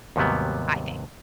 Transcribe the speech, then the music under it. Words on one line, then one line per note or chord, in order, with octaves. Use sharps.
I think.
D#2 G#2 C3 F#3 G3 B3